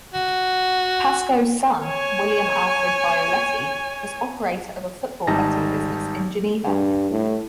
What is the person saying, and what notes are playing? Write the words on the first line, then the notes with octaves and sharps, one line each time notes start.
Pascoe's son, William Alfred Bioletti, was operator of a football betting business in Geneva.
F#4
C#5 G#5
G#1 G3 D#4 A5 A#6
G2
A2